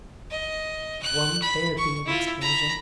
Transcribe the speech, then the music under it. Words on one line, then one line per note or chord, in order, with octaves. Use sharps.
Won't there be an explosion!
D#5
F#6
B5
C#6
E4 F4
A#5 B5